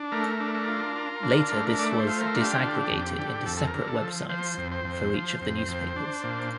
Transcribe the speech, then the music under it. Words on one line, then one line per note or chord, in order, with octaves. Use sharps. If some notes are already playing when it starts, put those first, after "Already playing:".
Later this was disaggregated into separate websites for each of the newspapers.
Already playing: D4
A3 A#4
D4
A#4
F4
F4
D4
A3
A3 D5
D5
C5
F4
A#4
D4
G4
D3
F2
D3
F2 A4
A4
A#4
D3
A4
F3
F3 C5
F2
C5
F2
F3
F2
F2
D4
A#2